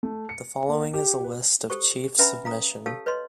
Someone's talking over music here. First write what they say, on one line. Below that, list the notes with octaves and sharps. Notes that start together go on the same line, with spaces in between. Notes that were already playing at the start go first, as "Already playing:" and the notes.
The following is a list of chiefs of mission.
A3
C#7
A#3
G4
B4
G4 A4 C5 C#6
C#4 B4 E5 G#5 A#5 B5
F5 A#5 D#6
G4 A4 C#5 F5 A5 E6
B4 C#5 D#5 C6